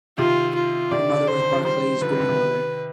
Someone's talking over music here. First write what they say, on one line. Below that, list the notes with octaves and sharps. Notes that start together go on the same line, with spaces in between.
Her mother was Barclay's granddaughter.
C3 D#3 F4
F4
C3 D#3 D5
D3
D3 C5
D3
D3 F3
D#3 G3 C5
D3 F3 B4
D#3 G3
D3 F3
C3 D#3